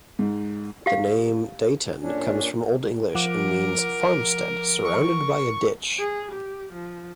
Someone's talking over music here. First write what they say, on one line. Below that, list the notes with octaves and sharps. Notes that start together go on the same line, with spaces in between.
The name Deighton comes from Old English and means "farmstead surrounded by a ditch".
G#2
G4 F5
A#2 C#4 D4
F3 A#4 F#5 D6
C#6
G#4
G4
F3